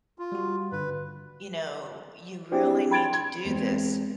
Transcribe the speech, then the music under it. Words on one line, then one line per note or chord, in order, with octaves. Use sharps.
you know, "You really need to do this
F4
G3 F#4
G2 D3 B4
C4 D4 E4 G4 G#4 C5
G5 B5 C6 G#6 A6 D7
G#6
E2 G#3 C4